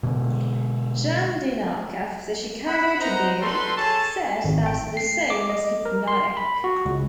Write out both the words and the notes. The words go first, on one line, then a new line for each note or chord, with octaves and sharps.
Jan DeKnock of the "Chicago Tribune" said that the song was "hypnotic".
B2 D3 G#3
F#5 B5
D#4 A#4 C5 D#5 F#5 A#5
G3 F#4 A4 B4 C6
G#4 A4 C#5 A5
G#1
G5
C7
D6
D#5
A#4
C6
B5
F#4
C#2